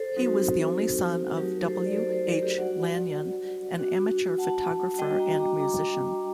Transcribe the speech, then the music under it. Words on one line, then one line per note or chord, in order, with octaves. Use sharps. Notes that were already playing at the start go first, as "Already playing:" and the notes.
He was the only son of W H Lanyon, an amateur photographer and musician.
Already playing: A4 C5
F#3 C4 D#4 F#4
F#3 A3 D#4 F#4 G4 A#4
A4 C5
D5
A4 C5
A4 C5
A#4 D5
G4
G3 D4 F#4 D5 F#5
G3 D4 F#4
F#5 A5
G3 D4 F#4 D#5 G5
G5 A#5
A#5 D6
A#5 D6